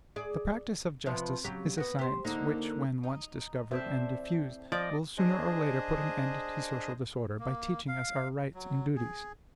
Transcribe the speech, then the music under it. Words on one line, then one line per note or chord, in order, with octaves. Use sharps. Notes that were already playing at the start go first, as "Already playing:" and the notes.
The practice of justice is a science which, when once discovered and diffused, will sooner or later put an end to social disorder, by teaching us our rights and duties.
G#4 D5
C3 F3 B3
C#3 F#3 G4
B3 F#4
G4 C5
D3 A#3 D#4
D#4
A2 C4 C5 D5 E5 A5
F3 D5 D#5
D4 G#4 C5 D#5
A#3
F5
F#3
G#4